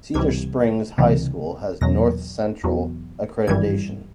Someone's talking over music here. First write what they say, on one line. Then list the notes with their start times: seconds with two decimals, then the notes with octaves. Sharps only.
Cedar Springs High School has North Central Accreditation.
0.14 C#2 C3 E3 G3 G#6
0.98 C#2 C3 E3 G3
1.81 E2 B2 F#3 A#6
2.63 E2 B2 F#3
3.47 G#1 G2 E3 G3 G#6